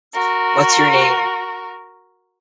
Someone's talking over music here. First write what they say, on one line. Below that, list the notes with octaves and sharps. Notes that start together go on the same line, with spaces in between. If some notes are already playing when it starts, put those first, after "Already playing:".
What's Your Name?
F#4 A#4